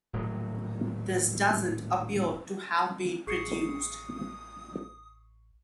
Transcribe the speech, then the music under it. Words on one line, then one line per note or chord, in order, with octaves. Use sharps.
This doesn't appear to have been produced.
D#1 A2 F#3
A1 G#4 C#6 D#6 C7 C#7